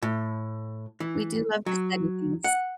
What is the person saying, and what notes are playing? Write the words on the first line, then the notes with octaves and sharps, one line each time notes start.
we do love to study things.
A2
E3
F#3
F#5